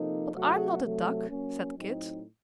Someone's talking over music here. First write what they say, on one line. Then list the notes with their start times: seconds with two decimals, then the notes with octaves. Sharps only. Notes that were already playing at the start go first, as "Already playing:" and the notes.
"But I'm not a duck," said Kit.
Already playing: C3 F3 A#3 D#4 A4
0.32 C3 F#3 A3 C4 F#4
0.81 C3 F#3 A3
1.29 F#3 A#3 C#4
1.77 A2 F#3 C4 D#4